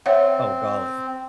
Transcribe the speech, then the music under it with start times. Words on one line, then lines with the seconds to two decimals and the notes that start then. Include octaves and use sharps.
Oh, golly.
0.06 C4 C#5 E5 F#5